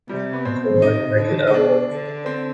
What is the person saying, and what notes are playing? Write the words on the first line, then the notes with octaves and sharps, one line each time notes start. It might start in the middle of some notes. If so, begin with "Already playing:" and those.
Gold Medal Award.
C3 G3
B3
B2 C4
C3 D#4
D3
D#4
B2 D4
D3
C4